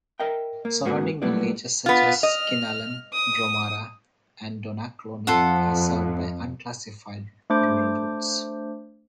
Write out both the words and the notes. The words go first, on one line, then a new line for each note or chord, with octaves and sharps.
Surrounding villages, such as Kinallen, Dromara and Donaghcloney, are served by unclassified rural routes.
A#4 D#5 E5 G5
A#3
G#2 C#3 A#3 B3 F#4 G#4
F#3 G3 A3 B3 E4 D5
B3 F4
D#5 F6
D#6
F2 F4 A4 F#5
A3 D4 C5 D6 G6